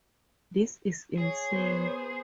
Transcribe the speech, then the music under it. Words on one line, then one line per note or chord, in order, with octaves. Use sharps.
This is insane.
G#4 C#5
B3 C5